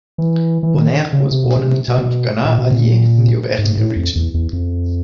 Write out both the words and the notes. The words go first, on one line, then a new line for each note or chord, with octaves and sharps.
Bonnaire was born in the town of Gannat, Allier, in the Auvergne region.
E3
E3
D#3
C#3
C3
B2
C3
B2
A#2
B2
A#2
G#2
A2
F2
E2
E2
F2